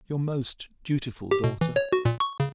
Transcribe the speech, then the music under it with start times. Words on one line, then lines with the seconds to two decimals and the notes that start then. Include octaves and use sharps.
Your most dutiful DAUGHTER.
1.31 G4
1.44 B2
1.61 E3
1.76 C#5
1.93 F#4
2.05 A#2
2.20 C#6
2.40 C#3